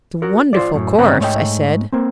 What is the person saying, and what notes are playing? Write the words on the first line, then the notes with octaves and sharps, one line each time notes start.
"It's a wonderful course," I said.
F#4 A#4
F4 C5 D5
F#2 A2
G2 C#3 C4 F#5 A#5
G#2 A3 C#5 D#5 G5
A#3 C4